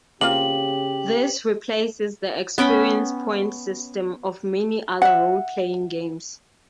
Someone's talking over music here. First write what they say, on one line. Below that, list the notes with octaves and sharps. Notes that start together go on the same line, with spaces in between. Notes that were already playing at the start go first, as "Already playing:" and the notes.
This replaces the experience points system of many other role-playing games.
C#3 A#3 C4 F4 G4 F#7
B3 C#4 G5 B5
E5 F#5